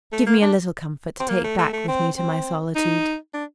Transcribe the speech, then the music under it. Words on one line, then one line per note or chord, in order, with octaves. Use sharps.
Give me a little comfort to take back with me to my solitude.
A3
A#3
D4
C4
A#3
A3
A3
A3
C4
C4
D#4
D4